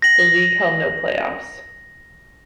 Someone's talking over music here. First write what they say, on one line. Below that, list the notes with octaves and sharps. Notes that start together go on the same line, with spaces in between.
The league held no playoffs.
A#6 F#7